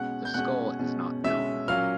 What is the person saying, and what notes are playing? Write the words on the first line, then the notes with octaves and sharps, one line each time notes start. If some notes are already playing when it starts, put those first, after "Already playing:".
The skull is not known.
Already playing: B2 G#3 C#4 F#5 F#6
G6
B2 G#3 C#4 F#5 F#6
B2 G#3 C#4
B2 G#3 C#4 E5 E6
A#2 F#3 A#3 C#4 F5 F6